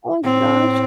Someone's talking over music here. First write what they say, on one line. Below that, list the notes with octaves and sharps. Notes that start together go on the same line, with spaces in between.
Oh gosh.
A2 C4